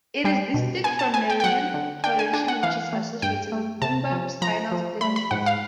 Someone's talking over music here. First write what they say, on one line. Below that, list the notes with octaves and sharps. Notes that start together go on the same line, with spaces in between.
It is distinct from neurogenic claudication, which is associated with lumbar spinal stenosis.
G3 G5
B2
B3 G#5
A5
B3 G#5
G5
G5
F#3 F#5
D3
D4 G5
G#5
D4 G#5
F#5
E3 F5
A3
G2 G5
A3
C3 A5
F3
F3 A#5
F3
A3 B5
B5
G#2 F#5
F5